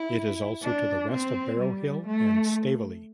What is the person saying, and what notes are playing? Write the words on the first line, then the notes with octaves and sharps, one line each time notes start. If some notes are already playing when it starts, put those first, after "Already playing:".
It is also to the west of Barrow Hill and Staveley.
Already playing: E4
D4
C4
G3
A3